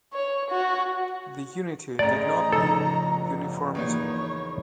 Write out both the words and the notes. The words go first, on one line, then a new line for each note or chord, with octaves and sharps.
The unity did not mean uniformity.
C#5
F#4
A2 C#4 G#4 C5 D5 D#5 A#5
F2 C#3 E3 D#4 A4 E6
A1 G2 B3
E2 A#3 D#4 C#5